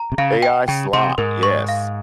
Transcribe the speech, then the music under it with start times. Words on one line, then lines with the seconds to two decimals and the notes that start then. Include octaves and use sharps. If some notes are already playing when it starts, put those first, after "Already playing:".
AI slop, yes.
Already playing: A#5
0.12 C3
0.18 C#3 F5
0.42 G5
0.68 C#3 G5
0.93 C3 C6
1.18 G#2 A#4
1.43 C#6
1.69 F5